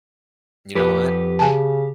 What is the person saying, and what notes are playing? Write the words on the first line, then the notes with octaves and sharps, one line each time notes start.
You know what?
F2 G4 B4
C#3 G#5 A5